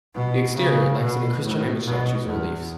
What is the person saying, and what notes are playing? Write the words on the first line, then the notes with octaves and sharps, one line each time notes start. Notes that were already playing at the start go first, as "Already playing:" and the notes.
The exterior lacks any Christian image statues or reliefs.
B2
C#3
B2
A2
B2
E2